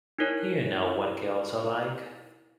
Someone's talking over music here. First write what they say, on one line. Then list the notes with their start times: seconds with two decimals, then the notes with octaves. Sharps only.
You know what girls are like.
0.19 D#4 E4 A#4 C#5